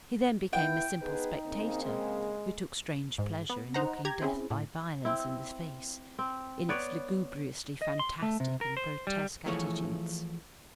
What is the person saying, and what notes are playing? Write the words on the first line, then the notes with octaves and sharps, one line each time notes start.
He then became a simple spectator, who took strange pleasure in looking death by violence in the face, in its lugubriously fantastic and grotesque attitudes.
B3 E4 G5
B3 D#4 G#4 B4
C#3 A#3 C4
G#3
G#2
B3
D#4 C5 F#5 A#5
G4 A#5 G#6
C4 C#4 E4 G#4
A2
C4 E4
C4
B3 B4 C#5 D5
D#5
C6
A3
C3
A#4
C5
G3
E3 F3 A3 E4 G#4 C#5